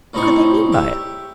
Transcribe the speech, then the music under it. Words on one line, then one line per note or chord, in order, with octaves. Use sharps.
What could they mean by it?
C2 A2 C4 D#4 C5 C#6
G4 E5